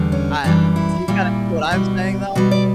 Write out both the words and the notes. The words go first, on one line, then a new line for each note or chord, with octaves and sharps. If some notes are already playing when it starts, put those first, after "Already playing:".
I do you kinda see what I'm saying, though?
Already playing: E2 D3 G3
C#4
F#2 E3 G3 D4
E4
A#2 G3
B2 G3
B2 G3 F#4
D5